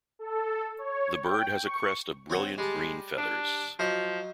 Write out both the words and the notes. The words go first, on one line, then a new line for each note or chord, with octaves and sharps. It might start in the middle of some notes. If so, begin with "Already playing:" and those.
The bird has a crest of brilliant green feathers.
A4
C#5
G5
C#6
C4 C#5 F#5
G3 G#3 A5
D4
F3 F#3 D#5